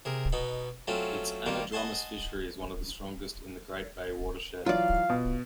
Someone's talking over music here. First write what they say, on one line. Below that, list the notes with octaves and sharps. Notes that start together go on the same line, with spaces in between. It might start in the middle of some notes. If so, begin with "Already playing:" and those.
Its anadromous fishery is one of the strongest in the Great Bay watershed.
C3 G#4 A#4
B2 B3 D#4 B5
F#3 A3 C4 C#4 F4
D#3 G3 A#3 F4 C5
D#5 F#5 G#5 A5 C6
E3 F#3 F4 D5 F5
B2